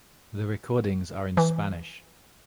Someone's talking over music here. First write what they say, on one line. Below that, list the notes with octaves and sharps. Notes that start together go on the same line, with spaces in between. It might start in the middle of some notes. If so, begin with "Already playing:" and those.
The recordings are in Spanish.
E3